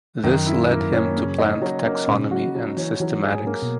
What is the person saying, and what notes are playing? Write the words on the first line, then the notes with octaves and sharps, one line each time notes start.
This led him to plant taxonomy and systematics.
F#2 D#3
E4
A#3
C#4
C#3
D#4
F#3
A#3
A#2 C#3
F#3 F#4
F#3
E3 C#4
E3 F#3
G#4
G#2
A#3
B2